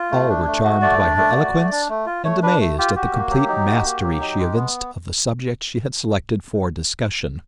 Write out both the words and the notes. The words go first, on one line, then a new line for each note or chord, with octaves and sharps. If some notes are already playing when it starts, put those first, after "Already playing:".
All were charmed by her eloquence and amazed at the complete mastery she evinced of the subject she had selected for discussion.
Already playing: F4
A3
D4
A3
F#4
A3 D5
D4
A3
F#4
A3
D4
A3
F4
A3 C#5
D4 B4
A3
F4 G4
F#4 G4
A#3
F#3 G4
D#4
F#4
A#3
F#3
D#4
G#3
B3